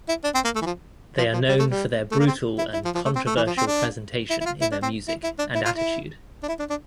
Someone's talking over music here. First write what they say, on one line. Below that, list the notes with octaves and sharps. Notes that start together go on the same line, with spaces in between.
They are known for their brutal and controversial presentation in their music and attitude.
E4
D4
C4
A#3
A3
E3
F3
F3
F3
G3
A3
G3
A3
A#3
C4
E4
E4
F3
F3
A3
C4
A3
E3
F3
C4
D4
E4
E4
F4
E4
D4
C4
E4
E4
D4
E4
F4
E4
D4
E4
D4
D4